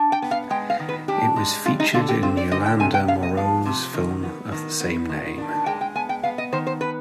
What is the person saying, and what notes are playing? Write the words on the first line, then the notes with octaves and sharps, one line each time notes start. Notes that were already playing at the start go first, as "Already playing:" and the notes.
It was featured in Yolande Moreau's film of the same name.
Already playing: D4
G5
B3
F5
G#3 G5
F5
D#3
B4
D4 G4
G#3
G3 F4
D#4
D3 F4
G4
C4 F4
D5
D3 D#5
G5
C3 G#5
G5
B3 F5
D#5
F3 F5
C3
D#3
B3
D#3
B3
D#3
D4
G#3 G5
G5
B3 G#5
G5
B3 F5
D#5
D#3 C5
C5
B3 B4